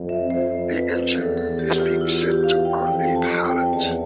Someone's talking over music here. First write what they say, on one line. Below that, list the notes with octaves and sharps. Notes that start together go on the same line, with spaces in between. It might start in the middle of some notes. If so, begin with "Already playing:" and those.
The engine is being sent on a pallet.
Already playing: F2
E5
F2 C5
B4
E2 A4
A4
G4
F4
E4
F4
G4
F5
G5
F2 G5
A5
F2
G5
E2 A5